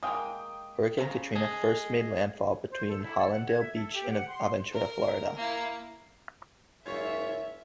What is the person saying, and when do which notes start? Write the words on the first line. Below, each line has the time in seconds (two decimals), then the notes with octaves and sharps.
Hurricane Katrina first made landfall between Hallandale Beach and Aventura, Florida.
0.03 G#3 A#3 G5 D#6
0.98 C#3 F3 C5 A#5
1.36 G#4 D#5 A5
2.69 C5
2.88 A4
3.02 E4
3.17 A4
3.31 F#5
3.47 G#6
3.61 E5
3.73 A4
3.93 G4
4.08 F#5
4.28 C6
4.72 A#4
5.36 A#3 E4
6.86 F#1 G#2 F4 C#5 E5